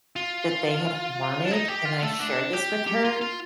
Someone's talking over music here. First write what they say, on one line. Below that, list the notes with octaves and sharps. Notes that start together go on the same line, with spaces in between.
that they had wanted, and I shared this with her,
F4
D4
D#4
G4
F4
A3
D4
G4
G4
F4
F4